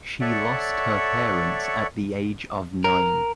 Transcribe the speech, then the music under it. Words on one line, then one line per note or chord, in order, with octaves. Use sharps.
She lost her parents at the age of nine.
A4 C#5 D5 E5 F#5 C#6
A#4